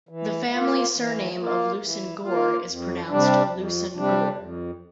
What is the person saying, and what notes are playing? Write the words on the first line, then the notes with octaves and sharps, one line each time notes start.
The family surname of Leveson-Gower is pronounced "Looson-Gore".
E3
A#3 F4
E3
A#3 F4
E3
A#3 F4
F2
C3 G3 D4
F2
C3 G3 D4
F2